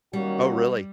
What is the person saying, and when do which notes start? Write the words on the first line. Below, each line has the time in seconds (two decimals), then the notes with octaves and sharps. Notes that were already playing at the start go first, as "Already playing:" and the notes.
Oh, really?
0.13 D#3 F#3 G3 A#3 C#4 F#4